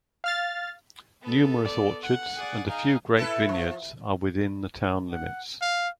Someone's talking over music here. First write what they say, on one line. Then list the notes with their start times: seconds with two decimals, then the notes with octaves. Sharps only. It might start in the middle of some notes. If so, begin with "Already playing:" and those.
Numerous orchards and a few grape vineyards are within the town limits.
0.24 F5 F6 A6
1.22 B3 A4
1.65 D5
2.02 F#5
2.35 G#4 D5
2.68 D#4 G#4 F5
3.17 E4 A4 B4
3.49 F3
5.11 F#5
5.61 F5